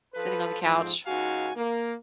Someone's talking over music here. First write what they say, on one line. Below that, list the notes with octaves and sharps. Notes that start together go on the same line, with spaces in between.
sitting on the couch,
F3 A4 B4
F2 G#2 F3 C4
C#2 D#4 F#4 F5 G#5
A#3